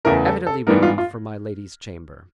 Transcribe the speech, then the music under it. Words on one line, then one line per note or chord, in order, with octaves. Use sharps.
Evidently written for my lady's chamber.
E2 C#3 E3 A3 A#4
A4
A4
G#2 E3 G3 B3 A#4
F4
F4